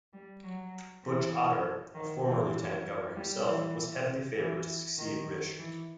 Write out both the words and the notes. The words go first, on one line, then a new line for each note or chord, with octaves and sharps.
"Butch" Otter, a former lieutenant governor himself, was heavily favored to succeed Risch.
G3
F#3
E3
D#3
E3
G3
E3
E3
D#3
E3